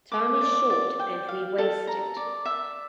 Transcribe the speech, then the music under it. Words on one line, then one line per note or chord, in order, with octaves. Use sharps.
Time is short and we waste it.
D6
D5
D5
G5
F5
A4
A#5
D5
E5